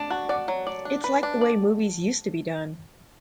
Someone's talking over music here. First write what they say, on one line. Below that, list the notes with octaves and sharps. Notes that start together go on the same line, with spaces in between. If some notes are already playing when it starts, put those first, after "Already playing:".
It's like the way movies used to be done.
Already playing: D4 A5
F#4 A5
D5 F#5
F#3
D5
D4
B4
D4
D5